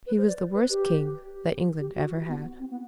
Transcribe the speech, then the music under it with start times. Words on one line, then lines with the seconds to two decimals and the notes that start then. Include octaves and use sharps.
He was the worst king that England ever had.
0.07 B4
0.18 C5
0.28 D5
0.54 B4
0.70 G4
1.80 G4
1.97 F#4
2.12 E4
2.28 B3
2.59 C4
2.70 B3